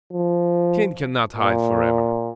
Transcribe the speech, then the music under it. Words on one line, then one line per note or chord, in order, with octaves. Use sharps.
Kane can not hide forever.
F3
A#2